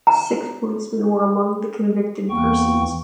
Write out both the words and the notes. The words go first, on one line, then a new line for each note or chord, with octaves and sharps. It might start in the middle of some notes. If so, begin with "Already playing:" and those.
Six policemen were among the convicted persons.
A#5
E2 E3 A#3 B3 G5 C#6